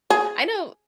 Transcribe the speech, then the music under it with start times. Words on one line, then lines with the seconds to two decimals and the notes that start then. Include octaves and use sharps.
I know
0.10 G#4